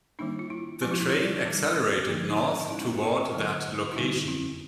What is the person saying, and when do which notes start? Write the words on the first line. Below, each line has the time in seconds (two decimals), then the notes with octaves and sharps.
The train accelerated north toward that location.
0.19 D#3 G3 A#3 D4 D#4
0.39 F4
0.50 E4
0.82 F3 G#3 B3 E4
0.91 F4
1.01 E4
1.10 F4
1.19 E4
1.45 D#3 G3 C4 D#4
2.07 D3 F3 A#3
2.61 D#4
2.70 G#3 C#4 E4
3.33 D3 F#3 A3 C4 D#4
3.92 E4
3.96 D3 G3 B3 D#4
4.28 E4